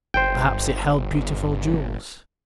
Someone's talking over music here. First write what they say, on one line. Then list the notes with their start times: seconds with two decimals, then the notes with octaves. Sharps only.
Perhaps it held beautiful jewels.
0.14 G1 C5 G5